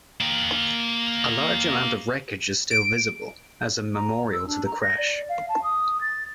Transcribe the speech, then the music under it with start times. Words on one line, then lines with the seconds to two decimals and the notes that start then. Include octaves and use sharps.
A large amount of wreckage is still visible, as a memorial to the crash.
0.21 A#3 G5
2.71 D7
3.95 A#5
4.33 E6
4.47 D4
4.65 A#5
4.81 A#6
4.98 D5
5.29 F5
5.49 A5
5.63 D#6
6.00 A6